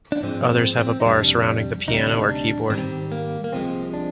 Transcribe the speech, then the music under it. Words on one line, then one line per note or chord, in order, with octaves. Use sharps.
Others have a bar surrounding the piano or keyboard.
D4
G#2 F3 G#3 C4
A#3
C4
C4
D#4
F2 C3 G3 D4
D2 C3 G3 D#4
D4
D#4
D4
G#2 D#3 G3 C4
A#3
A#3
C2 C3 F3 G#3 C4
D4